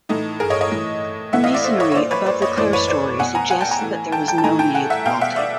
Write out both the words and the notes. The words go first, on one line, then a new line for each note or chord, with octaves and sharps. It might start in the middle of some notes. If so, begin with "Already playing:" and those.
The masonry above the clerestory suggests that there was no nave vaulting.
A2 E3 D#4
G#4 A#4
C#5 D#5
C#5 D#5
A2 E3
A2 E3 E5 F#5
D#5 F5
D5 E5
C5 D5
C#5 D#5
C#5
A#2 C5 D5
B4 C#5
C5 D5
C#5 D#5
A2 E3 C5 D5
B4 C#5
C5 D5
B2 F#5 G#5
G#5 A#5
F#5 G#5
G5 A5
G#5 A#5
A2 E3
G5 A5
G5 A5
A5
A2 E3 G#5 A#5
G5 A5
F#5 G#5
E5 F#5
B2 F5 G5
E5 F#5
D5 E5